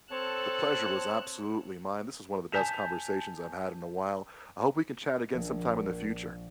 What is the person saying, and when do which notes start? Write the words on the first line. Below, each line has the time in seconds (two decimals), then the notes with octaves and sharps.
the pleasure was absolutely mine. This is one of the best conversations I've had in a while. I hope we can chat again sometime in the future.
0.11 C4 A4 C#5 A5 F#6 E7
2.52 G#5 A5 G6 B6 E7 F7
5.33 A#1